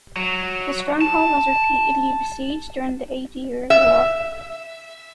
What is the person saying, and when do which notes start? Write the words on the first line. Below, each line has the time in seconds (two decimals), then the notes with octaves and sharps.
The stronghold was repeatedly besieged during the Eighty Years' War.
0.17 F#3
1.01 A5
3.70 E5